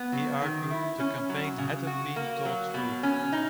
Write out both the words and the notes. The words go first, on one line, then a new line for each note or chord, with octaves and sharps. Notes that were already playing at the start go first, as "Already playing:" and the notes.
He argued the campaign hadn't "been thought through".
Already playing: B3
F#3
D#3
E4
C#4
F#3
C#3
F#4
A#3
F#3
B2
C#4
D#4